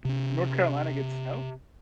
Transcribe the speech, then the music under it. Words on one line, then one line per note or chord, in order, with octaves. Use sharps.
North Carolina gets snow?
C3 C#4